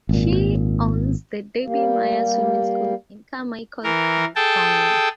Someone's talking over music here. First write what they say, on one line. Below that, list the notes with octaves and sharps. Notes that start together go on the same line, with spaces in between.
She owns the Debbie Meyer Swim School in Carmichael, California.
G#1 A#2
G3 A#3
E3 A#4
G#4 A4 G5 A5